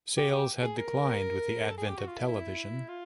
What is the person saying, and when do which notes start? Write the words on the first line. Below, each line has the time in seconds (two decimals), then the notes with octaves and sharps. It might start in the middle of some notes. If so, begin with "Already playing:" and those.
Sales had declined with the advent of television.
0.17 G4
0.32 G4
0.62 G#4
0.77 A#4
1.68 A4
1.78 G#4
1.88 G4
1.97 F#4
2.08 F4
2.18 E4
2.28 E4
2.89 F4